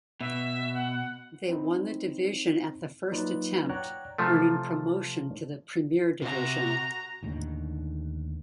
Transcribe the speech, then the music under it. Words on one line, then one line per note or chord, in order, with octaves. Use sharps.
They won the division at the first attempt, earning promotion to the Premier Division.
B2 E5
F#5
C4 D#4 E4
F#3 A#3 D#4 F4 B4 D5
C#5 D5 F#5 G5 A#5 F#6
C3 F3 A3
C3 F#4 A#5
D#2 A2 D3 D#3